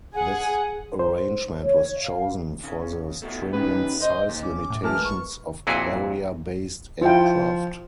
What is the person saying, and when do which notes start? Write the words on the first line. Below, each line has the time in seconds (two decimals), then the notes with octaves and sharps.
This arrangement was chosen for the stringent size limitations of carrier-based aircraft.
0.15 G#4 F#5
0.99 C5
1.62 C#5
2.00 F5
2.64 C#3
3.22 B2 A3
3.53 E2 D#3 C#4 B4
4.02 C5 D#5
4.29 D#2
4.42 G3 C#4 D6
4.70 A2
4.83 E3 G#3 A3 E4 A#4 G#5 A5 F6
5.04 G#1 C#6
5.67 F2 A#2 E4 F#4 G#4
7.01 F3 E4 F4 G5